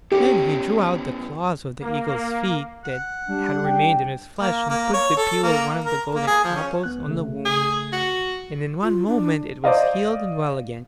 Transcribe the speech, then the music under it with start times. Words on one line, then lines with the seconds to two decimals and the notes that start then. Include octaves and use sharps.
Then he drew out the claws of the eagle's feet that had remained in his flesh, and put the peel of one of the golden apples on the wound, and in one moment it was healed and well again.
0.12 E2 C#4 G4
1.82 A#3
2.84 F#5
3.28 G3 D4
3.65 G5
4.39 A#3
4.70 A#3
4.93 C#5
5.17 A4
5.43 A#3
5.84 A#4
6.15 A#3
6.27 G#4
6.44 F3
6.56 C#4
6.84 C2 B3 F#6
7.06 C#3 A3
7.45 G#4
7.93 F#4
8.82 F4
9.07 D4
9.64 C5 D5 D#5 F5